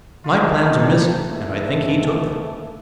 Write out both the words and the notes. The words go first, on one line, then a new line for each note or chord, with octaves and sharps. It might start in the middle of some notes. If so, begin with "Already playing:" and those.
My plans are missing, and I think he took them.
G2 F4
G#3 A#3 D4
A2 D#4 B5
A3 D4 G5
G2 G3 A#3
A5 A#5
G#2 E3 A3 A#3